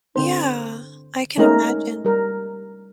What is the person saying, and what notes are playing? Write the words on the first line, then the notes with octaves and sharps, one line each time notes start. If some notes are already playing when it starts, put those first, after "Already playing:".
Yeah, I can imagine.
D3 C4 C5
G#3 A3 C#4 D#4 A#4
G3 A#4